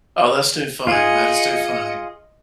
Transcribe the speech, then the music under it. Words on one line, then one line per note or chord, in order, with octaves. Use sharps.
Oh, that's too funny, that is too funny.
F4 G#4 D#5 C#7